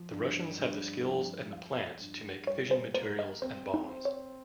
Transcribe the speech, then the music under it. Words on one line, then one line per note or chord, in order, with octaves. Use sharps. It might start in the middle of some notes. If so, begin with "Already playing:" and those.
The Russians have the skills and the plants to make fission materials and bombs.
Already playing: F3
G2
G2
F3
F4 F5
G2
G3 C#5
C5
A#3 C5
D#5
C4 C5
D#4
C5
C#5